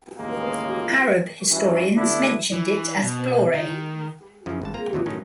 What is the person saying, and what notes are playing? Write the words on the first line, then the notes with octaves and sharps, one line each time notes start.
Arab historians mentioned it as Blore.
A1 D#2 C#3 G#3 A#3
G2 E3 F#3 C#4
D3 A3 B3 D4 E4
E3
B2
D#3
F#2 C#3 F3 C#4
G#1 G2 A5
A#3 C4 F4 A#5
D#2 A2 C3 D#3 E3 F#3
A2 D#3 F#3 C#4 D#4